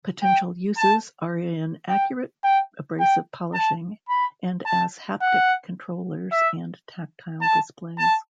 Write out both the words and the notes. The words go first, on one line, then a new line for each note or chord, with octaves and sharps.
Potential uses are in accurate abrasive polishing and as haptic controllers and tactile displays.
G5
A5
G5
G5
G5
A5
B5
A5
F#5
E5
A5
A5